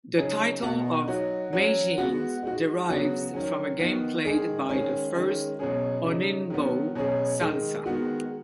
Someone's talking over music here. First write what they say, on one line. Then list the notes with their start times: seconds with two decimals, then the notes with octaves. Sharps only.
The title of "Meijin" derives from a game played by the first Honinbo, Sansa.
0.17 C#3 F#3 D#4 G#4
0.62 B2 B3 F#4
1.08 F#3 D#4 F#4
1.53 F#3 C#4 F#4
1.98 G#3 B3 F#4
2.43 G#3 D#4 F#4
2.89 C#3 F#3 B3 F#4
3.34 D#3 F#3 C#4
3.79 D#3 B3 D#4
4.25 D#3 G#3 D#4 G#4
4.69 D#3 G#3 C#4 G#4
5.14 D#3 G#3 C#4
5.59 B2 F#3 C#4 G#4
6.04 C#3 F#3 D#4
6.50 D#3 F#3 B3
6.95 B2 F#3 C#4 G#4
7.40 D#3 G#3 D#4
7.86 D#3 G#3 B3 F#4